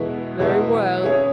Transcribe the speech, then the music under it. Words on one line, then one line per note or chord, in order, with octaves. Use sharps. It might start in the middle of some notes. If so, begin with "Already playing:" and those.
Very well.
Already playing: E2 B2 G#3 B3 E4
E2 B2 G#3 B3 E4
E3 C#4 E4 G#4 C#5